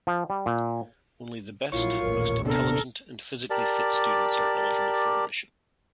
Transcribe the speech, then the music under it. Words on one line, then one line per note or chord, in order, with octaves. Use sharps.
Only the best, most intelligent, and physically fit students are eligible for admission.
F3
G3
A#2
A#1 F#3 E4 F4 C#5 C#6
A1 D#2 A#2 A#4
C3 B3 D4 A4 A#4
G4 A#4 D5 A5